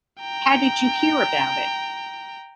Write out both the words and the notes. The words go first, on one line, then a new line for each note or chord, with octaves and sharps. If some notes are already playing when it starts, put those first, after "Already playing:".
How did you hear about it?
G5 A#5